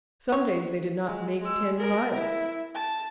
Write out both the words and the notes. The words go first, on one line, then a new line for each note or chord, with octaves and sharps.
Some days they did not make ten miles.
C#5
G#3
G#3 E6
G#4 A#4
E4
A5